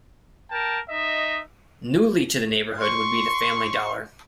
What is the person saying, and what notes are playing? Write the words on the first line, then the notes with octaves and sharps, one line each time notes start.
Newly to the neighborhood would be the Family Dollar.
A#4 G5 A5
D#4 D#5 E5
C6 C#6